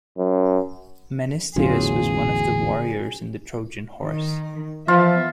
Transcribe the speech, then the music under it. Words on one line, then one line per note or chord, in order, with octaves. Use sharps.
Menestheus was one of the warriors in the Trojan Horse.
F#2
A1 E2 D3 F#3 C#4 F4 G#4
D#3
E3 F3 B3 F4 E5